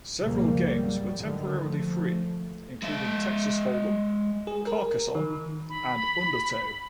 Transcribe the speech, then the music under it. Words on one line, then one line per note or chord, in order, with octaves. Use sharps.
Several games were temporarily free, including "Texas Hold 'em", "Carcassonne", and "Undertow".
F#1 C#2 B2 F3 G3 A#3
G#1 F#3 G3
D3 D#3
F3 A3
G#3 E5
G#4
A#4
D#3
B5